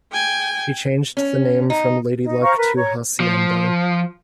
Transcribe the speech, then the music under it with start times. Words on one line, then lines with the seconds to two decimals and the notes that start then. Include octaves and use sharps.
He changed the name from Lady Luck to Hacienda.
0.12 G5 G#5
1.17 C#4
1.70 D#4
2.24 D#4
2.42 C5 F5 A#5 C#6
2.57 A#4 B4
2.76 C#5 A#5
3.20 F3